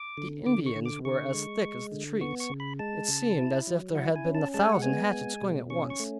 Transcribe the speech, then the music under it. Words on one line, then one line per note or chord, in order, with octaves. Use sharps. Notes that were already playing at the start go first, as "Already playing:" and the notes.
The Indians were as thick as the trees: it seemed as if there had been a thousand hatchets going at once.
Already playing: D6
D3
D3 D6
C#6
D3
D6
D3 C#6
G#3
G#3
D3
B3 C#6
C#6
C#3
B5
G#3 A5
C#3
E4
F#3
E4 F#5
G#5
C#4
A5
G#3 A5
G#5
F#5
B3 G#5
G#3
B2
C#4 C#6
C#6
A3